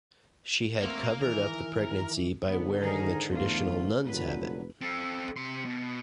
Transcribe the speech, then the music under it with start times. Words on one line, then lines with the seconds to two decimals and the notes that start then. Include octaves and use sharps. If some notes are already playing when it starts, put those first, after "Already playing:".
She had covered up the pregnancy by wearing the traditional nun's habit.
0.83 A3 A#3 C4 A#4 F#5
1.21 D#3 E3 A#4
2.46 G#2 D3 B3
2.80 D#3 D#4 G#4 A#4
3.30 E2 A3 A#3 F4
4.06 F1 A#2 D3 F#3 B4
4.81 C4 A4
5.36 C3 C6
5.65 B2